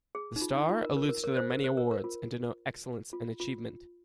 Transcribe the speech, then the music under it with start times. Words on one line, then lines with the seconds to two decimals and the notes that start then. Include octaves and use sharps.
The star alludes to their many awards, and denote excellence and achievement.
0.15 G#4
0.36 D#4
0.42 F4
0.56 D#4
0.69 F4
0.82 A#4
0.96 A#4
1.09 A#4
1.24 A#4
1.37 C5
1.50 A#4
1.64 C5
1.77 A#4
1.91 A#4
2.04 F4
3.13 F4
3.40 F4